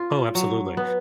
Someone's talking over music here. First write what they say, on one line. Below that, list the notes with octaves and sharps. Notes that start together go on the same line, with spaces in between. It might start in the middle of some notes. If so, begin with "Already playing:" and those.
Oh, absolutely.
Already playing: F4
F#3
B3